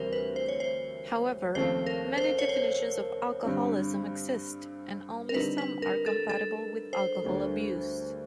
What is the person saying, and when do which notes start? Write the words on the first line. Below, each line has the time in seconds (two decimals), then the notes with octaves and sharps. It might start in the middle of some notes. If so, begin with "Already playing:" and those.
However, many definitions of alcoholism exist, and only some are compatible with alcohol abuse.
Already playing: D2 C3 E3 G3 C4 A#4 C5
0.13 B4
0.36 C5
0.48 C#5
0.60 C5
1.55 D#2 C#3 F3 A3 C4 C5
1.86 A#4
2.18 C5
2.39 C#5
2.49 C5
3.45 G2 D3 G3 C4
5.29 A#4
5.34 D3 G3 C4 D#4 B4
5.58 B4
5.82 A#4
6.06 A4
6.29 A4
6.93 C5
7.24 D2 D3 G3